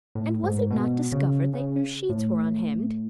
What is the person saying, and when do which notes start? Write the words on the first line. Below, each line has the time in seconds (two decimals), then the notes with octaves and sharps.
"And was it not discovered that your sheets were unhemmed?"
0.15 A2
0.43 G#2
0.71 B2
1.12 C#3
1.53 C#3
2.09 A2